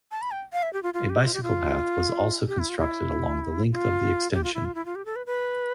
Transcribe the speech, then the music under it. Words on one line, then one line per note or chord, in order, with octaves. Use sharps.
A bicycle path was also constructed along the length of the extension.
A5
B5
G5
F5
E5
G4
F4
F4
G4
F4
G4
F4
G4
E4
F4
E4
F4
G4
F4
E4
F4
E4
F4
G4
A4
B4
B4